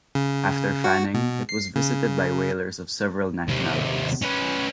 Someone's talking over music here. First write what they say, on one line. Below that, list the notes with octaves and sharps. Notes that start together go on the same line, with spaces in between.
After Fanning, it was visited by whalers of several nationalities.
C#3
F#4
B2
C7
C#3
D#2 C3
C#4 B4